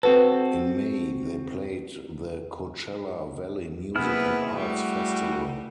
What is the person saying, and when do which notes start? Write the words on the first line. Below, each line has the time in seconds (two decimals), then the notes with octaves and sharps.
In May, they played the Coachella Valley Music and Arts Festival.
0.03 C4 F#4 A4 B4
3.95 C3 A#3 B3 E4 G#4 B4 F6
4.56 G3 A3 F#4